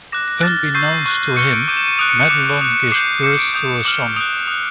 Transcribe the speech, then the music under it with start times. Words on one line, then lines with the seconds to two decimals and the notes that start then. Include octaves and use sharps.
Unbeknownst to him, Madelon gives birth to a son.
0.12 D6 F#6 A#6
0.28 A#6
0.43 D6 F6 A6
0.75 C#6 E6 G6 C7
1.06 C#6 F#6
1.37 C#6 F6 C#7
1.53 D7
1.68 D6 G6 D#7
1.77 E7
1.86 D#7
1.99 D#6 F#6 D7
2.09 C#7
2.20 C#7
2.30 D6 F#6
2.61 D#6 F#6
2.92 D6 G6 C7
3.23 D6 G6 C#7
3.39 D7
3.54 D#6 G6
3.85 D6 F6
4.16 D#6 F#6 D7
4.48 D#6 F#6